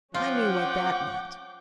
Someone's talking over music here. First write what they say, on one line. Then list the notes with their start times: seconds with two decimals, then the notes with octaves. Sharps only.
I knew what that meant.
0.14 F3 C#4 F4 F#5 G5 D6